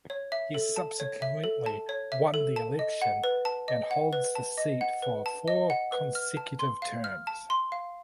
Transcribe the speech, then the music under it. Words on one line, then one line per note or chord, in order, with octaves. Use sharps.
He subsequently won the election and holds the seat for four consecutive terms.
C#5
E5
A4
A5
C#5
E5
A4
A5
C#5
E5
A4
A5
D#5
F#5
B4
A5
D#5
F#5
B4
A5
D#5
F#5
B4
A5
D#5
F#5
B4
F6
A5
C6
F5
F6
A5
C6
F5